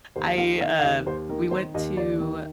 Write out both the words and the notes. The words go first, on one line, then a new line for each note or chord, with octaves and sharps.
I, uh we went to
D#2 C5
D#3 F5
D#3 F5
F5
D#2 D#5
D#2 C5
D#3 A#4
D#3 C5
D#2 D#5
D#2 D5
D#3